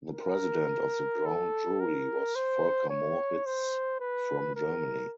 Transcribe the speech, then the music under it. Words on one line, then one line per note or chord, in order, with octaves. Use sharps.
The president of the Ground Jury was Volker Moritz from Germany.
A#4
A4
A#4
C5
C#5
C5
B4
A#4